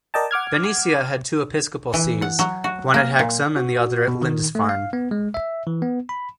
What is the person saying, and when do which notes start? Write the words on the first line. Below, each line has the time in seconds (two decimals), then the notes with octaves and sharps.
Bernicia had two episcopal sees, one at Hexham and the other at Lindisfarne.
0.14 A#4 D5 D#5 G5 A5
0.31 F#5 D6 F6 G#6
1.94 E3
2.22 F#5
2.39 F#3
2.64 F#4
2.94 A#3
3.19 A#2
3.56 F#4
4.08 B2
4.22 D#3
4.55 A3
4.69 F5
4.93 B3
5.11 G#3
5.34 E5
5.67 E3
5.82 B3
6.09 B5